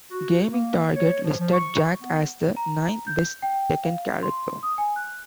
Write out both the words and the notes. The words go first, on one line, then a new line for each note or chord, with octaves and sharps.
Gaming Target listed Jack as the ninth best "Tekken" character.
F#4
A#3
C#5
F3
F3
C#6
B3
A#5
G6
G5
F5
C6
D#6
G#5
F#6